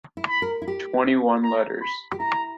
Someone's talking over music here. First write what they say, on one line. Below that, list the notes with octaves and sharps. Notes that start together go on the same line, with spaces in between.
Twenty-one letters.
E4
B5
A#4
E4
G4
A#5
B5
G4
E4 A#5